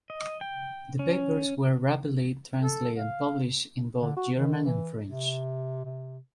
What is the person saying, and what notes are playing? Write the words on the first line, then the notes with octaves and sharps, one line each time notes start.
The papers were rapidly translated and published in both German and French.
D#5
G5
C#4
A4
F5
D3
F#4
D#3
E3
C3
C3